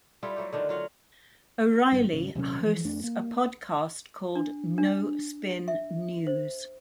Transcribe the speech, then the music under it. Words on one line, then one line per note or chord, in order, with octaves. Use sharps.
O'Reilly hosts a podcast called "No Spin News".
G3 E4 F4 A4
F#3 A3 G4
D3 D#3 D4 F4
F#3 F4 F5 F#5
G#1 G2
G#1 C#3
D#1 C3 F#3 C#4
E3 F3
F2 A3 D4
A#3
D4
D4
E5
C5